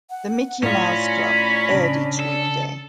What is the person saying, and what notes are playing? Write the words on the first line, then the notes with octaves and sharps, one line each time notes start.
The "Mickey Mouse Club" aired each weekday.
F#5
A2 C#4 F4 D5 A#5 B5
C#3 C#4 D4
A4